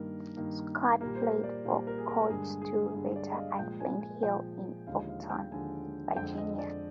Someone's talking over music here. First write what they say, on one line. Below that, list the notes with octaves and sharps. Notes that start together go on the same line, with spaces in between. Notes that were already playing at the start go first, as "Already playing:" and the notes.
Scott played for Coach Stu Vetter at Flint Hill in Oakton, Virginia.
Already playing: G2 D#3 A#3 A#4
G2 D#3 A#3
A#2 G3 A#3 A#4
C5
A#4
D5
A#2 G3 A#3 C5
A#4
G#4
A#4
A#4
G2 D3 G#3 G#4
G#4
G2 D3 G#3 G#4
D5
D#5
F5
A#2 F3 G#3 G5
G#5
G#5
A#2 F3 G#3 G5
D#2 D3 F3 G#3 F5
F5
G5
D#2 D3 F3 G#3 G#5
F2 D3 G#3 G5
D#5
D5